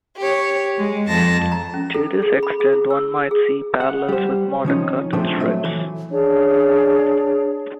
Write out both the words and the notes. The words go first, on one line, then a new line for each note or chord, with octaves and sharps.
To this extent one might see parallels with modern cartoon strips.
G4 C#5
G#3
F2 A5 A#6
A#5
C#4
A4
G#4
B5
G#4
E4
E6
G#4
F#5
G3 C5
D#3 F3 C#4 D#4
A#2 F3 G#3 A3 C4 D4
F#3 A3 E5
E3
D4 G#4 C#5